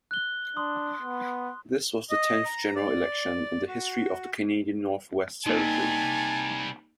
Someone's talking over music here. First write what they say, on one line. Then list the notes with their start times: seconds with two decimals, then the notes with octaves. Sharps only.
This was the tenth general election in the history of the Canadian Northwest Territories.
0.11 F#6 G7
0.57 D4 C6 D#6
1.02 B3
2.10 D#5
2.45 A#5
2.76 D5
3.68 F#4
5.46 C3 G3 A#3 D#4 G#5 A5